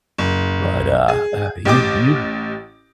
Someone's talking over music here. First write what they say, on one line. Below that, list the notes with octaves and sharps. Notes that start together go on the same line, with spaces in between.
but, uh, uh, you you
F#1
G#4
A1 G4 D#5 G5 D6